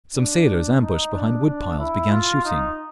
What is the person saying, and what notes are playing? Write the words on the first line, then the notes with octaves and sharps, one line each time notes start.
Some sailors ambushed behind wood-piles began shooting.
D4
D#4
D4
D4
E4
F4
D#4